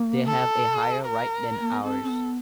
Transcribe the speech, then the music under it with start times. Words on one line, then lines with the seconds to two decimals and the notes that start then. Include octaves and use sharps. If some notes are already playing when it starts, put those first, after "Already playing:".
They have a higher right than ours.
Already playing: A#3
0.26 A4
1.05 A#4
1.60 A#3
1.72 B3
1.83 C4 A4
2.03 C4
2.10 B3